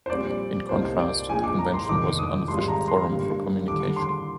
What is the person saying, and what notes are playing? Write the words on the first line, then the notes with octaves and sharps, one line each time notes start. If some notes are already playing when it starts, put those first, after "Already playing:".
In contrast, the Convention was an unofficial forum for communication.
C5
A#1 A#2 G3 C4 D5
C2 C3 G3 A#3 D#4 C5
D5
A#1 A#2 G#3 D#4 G#5
D6
A#5
C6
F1 D#2 D#3 D6
D#6
G#1 G#2 G3 C6
A#5
C6
G1 G2 D3 G3 A#3
D#2 D3 G3 D6
C6